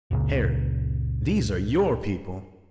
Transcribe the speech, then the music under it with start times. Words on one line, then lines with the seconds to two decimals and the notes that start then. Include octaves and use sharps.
"Harry, these are your people."
0.11 F#1 C#2 A#2 C#3